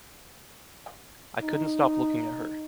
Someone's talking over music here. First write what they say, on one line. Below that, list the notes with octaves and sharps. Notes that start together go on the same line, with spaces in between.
I couldn’t stop looking at her.
D#4